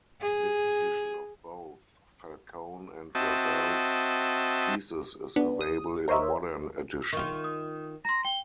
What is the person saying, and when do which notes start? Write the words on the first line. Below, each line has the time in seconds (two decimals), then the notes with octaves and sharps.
This edition of both Falcone and Raval's pieces is available in a modern edition.
0.22 G#4
3.15 C4 F#4 D#5 E5 G5 A5
5.36 B3 D4
5.61 D#6
6.08 A#4 C5 C#5 D#5 E5
7.13 D#3 F4 C#6
7.44 D#6
8.05 A#5 C6 A#6
8.25 G5 G7